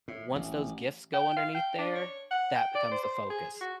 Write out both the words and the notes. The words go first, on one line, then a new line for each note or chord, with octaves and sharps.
once those gifts go underneath there, that becomes the focus.
A2
A1
G5
F5
G5
D4
C#5
F#5
G5
D5
C5
C5
G#4
F#4